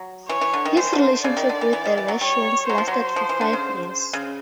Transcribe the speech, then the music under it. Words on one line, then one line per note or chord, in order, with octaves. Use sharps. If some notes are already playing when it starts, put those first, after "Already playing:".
His relationship with the Russians lasted for five years.
Already playing: F#3
E3 C#5
E3
D3
D#3
E3 C5
D3
C#3 D5
D#3
D3
E3
E3
D#3
E3
F#3
G3 C#5
F#3 C5
F3
F#3
F3
E3
D3
C#3
C#3